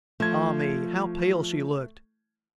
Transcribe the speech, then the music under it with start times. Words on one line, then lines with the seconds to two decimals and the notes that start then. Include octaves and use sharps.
Ah me, how pale she looked!
0.20 F3 A3 G#6